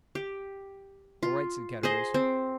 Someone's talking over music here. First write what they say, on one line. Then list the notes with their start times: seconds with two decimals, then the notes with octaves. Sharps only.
"All right!" said Caderousse.
0.15 G4
1.23 F4
1.83 G#4 C5 D#5
2.14 C4